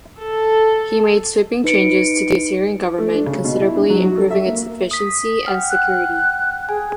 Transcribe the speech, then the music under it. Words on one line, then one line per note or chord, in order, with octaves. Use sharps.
He made sweeping changes to the Assyrian government, considerably improving its efficiency and security.
A4
D#4 B4 C#7 D7
A3
D4
C#3
B2
E4
D4
F#3
F#4
A4
E5
A#3
D#6 B6
F#5 G5 F6
F#6
G#4 G#5